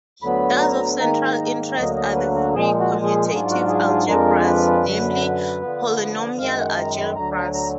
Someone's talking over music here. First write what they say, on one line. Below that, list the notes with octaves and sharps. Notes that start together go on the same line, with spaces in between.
Thus of central interest are the free commutative algebras, namely the polynomial algebras.
D2 D3 F#3 B3 B5
A#5
G#2 D#3 A#3 D#4 A#5
A#5
D2 D3 F#3 A#3 D#5
D#5
B4
F#4
A#2 F3 G#3 G#4
F#4
G#4
G#2 F#3 D4 F4 G#4
F#4
G#4
G#4
F2 F3 G#3 D4 F4 A#4
B4
F#2 D3 F#3
D3 F3 B3
F#2 D#3 G#3 F5
F#5
A#5
B5
D2 D3 F#3 A#5
A#5
A#5